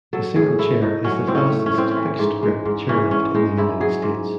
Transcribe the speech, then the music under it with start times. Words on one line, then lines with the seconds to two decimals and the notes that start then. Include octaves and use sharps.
The Single Chair is the fastest fixed-grip chairlift in the United States.
0.13 F#3 A4
0.36 A2 G#4
0.59 A3 E4
0.81 A2 D#4
1.04 F#3 C#4
1.27 A2 C4
1.35 C#4
1.50 A3
1.66 C#4
1.74 A2 C4
1.91 C#4
1.96 E3
2.19 G#2
2.43 G#3
2.65 G#2
2.89 E3 C#4
3.11 G#2 C#4
3.35 G#3 D#4
3.57 G#2 E4
3.81 F#3 G#4
4.03 G#2